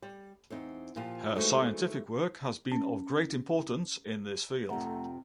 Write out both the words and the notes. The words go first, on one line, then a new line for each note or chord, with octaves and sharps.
Her scientific work has been of great importance in this field.
G3
E2 C4 D#4
A#2 F3 F4 G4
E3 G#3 A3 D#4 F#4 C5
C#4
F2 C3 A3 E5 F#5 A#5